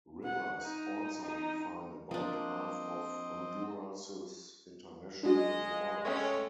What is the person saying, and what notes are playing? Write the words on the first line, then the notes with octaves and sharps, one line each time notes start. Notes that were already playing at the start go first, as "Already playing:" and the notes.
Rivers also define about half of Honduras's international borders.
F#5
D#4
D#4
F3 A#3 C4 D4 D#5
G#3 D4 F#4 D#5
A3 C#4 C#5 E5 G5